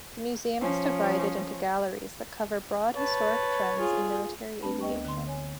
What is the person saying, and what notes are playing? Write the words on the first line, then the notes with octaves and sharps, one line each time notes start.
The museum is divided into galleries that cover broad historic trends in military aviation.
F3 C#4
B4 C#5 A5
F4 G#4
A3 C4 D4 B4 A5 B5
D2 B3 D#5 G5 C#6
D3 C6
C#5 G#5